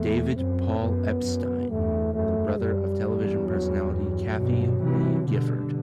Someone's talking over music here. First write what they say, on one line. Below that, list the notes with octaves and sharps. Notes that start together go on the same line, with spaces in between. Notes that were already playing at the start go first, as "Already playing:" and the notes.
David Paul Epstein, the brother of television personality Kathie Lee Gifford.
Already playing: E2 A3
F#2 C4
F#2 B3
F#2
E2 G2 A3
F#2 A3
F#2 G3
E2 G2
F#3
F#3
G2 B2
C3 E3
G2 B2 D3